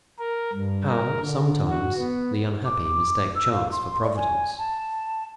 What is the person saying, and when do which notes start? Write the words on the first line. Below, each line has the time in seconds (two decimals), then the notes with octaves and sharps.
How, sometimes, the Unhappy mistake Chance for Providence.
0.19 A#4
0.53 G2
0.88 A#4
1.20 D3
1.68 F#4
1.98 B3
2.65 D6
3.36 E6
3.52 F5
3.72 C6
4.03 D5
4.17 G#5
4.58 A5